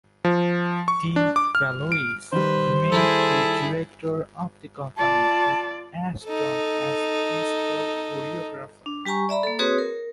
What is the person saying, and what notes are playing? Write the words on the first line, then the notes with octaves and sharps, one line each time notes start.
De Valois remained the director of the company, with Ashton as principal choreographer.
F3
C#6
D4
D6
F6
D7
D#3 G3 B4 C5
E4 G#4 A4
F4 D5 A5
D#4 A4
D4
G3 G4 G#5 A#5 C#6
D5 E5 A#5 B5
A#3 A4
C4 F#4 G#4 B4 C#5 D#6
A#4